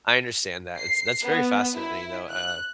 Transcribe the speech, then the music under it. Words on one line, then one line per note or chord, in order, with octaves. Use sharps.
I understand that. It's that's very fascinating, though. Uh,
C7
B3
E4
F#6